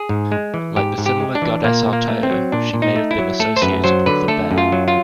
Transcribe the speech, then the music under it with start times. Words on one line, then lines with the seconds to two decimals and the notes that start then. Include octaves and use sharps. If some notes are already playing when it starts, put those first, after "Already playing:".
Like the similar goddess Artio, she may have been associated with the bear.
Already playing: G#4
0.09 G#2
0.32 G#3
0.54 E3
0.76 G#2 G4
0.98 G#2
1.06 G4
1.20 G#3
1.35 D4
1.42 E3
1.64 A#2 A#3
1.86 A#2
1.93 A#3
2.08 A3
2.23 C4
2.31 F#3
2.52 A#2 D4
2.74 A#2
2.82 D#4
2.96 A3
3.11 E4
3.18 F#3
3.40 A3 A4
3.56 C5
3.62 F#2 B4
3.84 F#3 C5
4.06 D3 B4
4.28 A3 A4
4.51 F#2
4.58 F4
4.72 F#3
4.88 F4